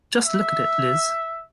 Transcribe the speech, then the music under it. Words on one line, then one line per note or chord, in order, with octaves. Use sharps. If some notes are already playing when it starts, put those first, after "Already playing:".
Just look at it, Liz.
E5